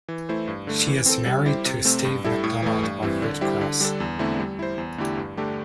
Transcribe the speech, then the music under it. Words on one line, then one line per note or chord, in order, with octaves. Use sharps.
She is married to Steve McDonald of Redd Kross.
E3
A3 E4 C5
G2
D3 A3
E3
C4 A4
G3
E4 G4 C5
C3
A3 C4
G2
G3 E4 A4
A2
E3 A3
G2
E3 G3 C4 E4
D3
G3 E4 G4 C5
D3
G3 D4 A4
E2
D3 A3 C4 E4
G3
E4 C5
E2
D3 A3 E4 G4
G2
D3 A3 D4 G4